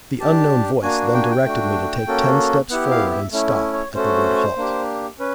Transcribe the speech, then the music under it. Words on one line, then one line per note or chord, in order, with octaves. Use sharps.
The unknown voice then directed me to take ten steps forward and stop at the word halt.
D4 G4 A5
A#3 D4 F#4 G#5
G5
G#5
G5
A3 D4 F#4
A#3 C#4 F#4 A4
B3 E4 G4 F#5
F5
E5
A3 C#4 E4
C#5
A3 C#4 F#4 A4 C5
A#3 D4 G4
C#4 B4